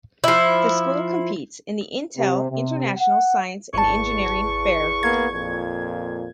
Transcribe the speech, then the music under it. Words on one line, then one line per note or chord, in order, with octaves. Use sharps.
The school competes in the Intel International Science and Engineering Fair.
F3 E4
C3
C3
F#5
G#1 E2 A5 C#6
A#3 B3 G#6
F2 A#2